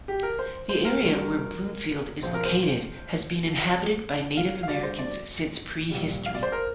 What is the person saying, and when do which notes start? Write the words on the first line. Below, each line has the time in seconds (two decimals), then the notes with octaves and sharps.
The area where Bloomfield is located has been inhabited by Native Americans since prehistory.
0.08 G4
0.23 A#4
0.39 C5
0.69 C5
0.85 A#4
1.00 D2 D3 G3
2.22 A#1 A#2 F3 C5
2.34 A#4
2.45 C5
3.45 F2 F3
4.37 F5
4.63 F5
4.68 D2 D3 G3 D5
4.83 C5
4.99 D5
5.91 A#1 A#2 G3
6.26 F5
6.35 D5
6.43 C5
6.52 A#4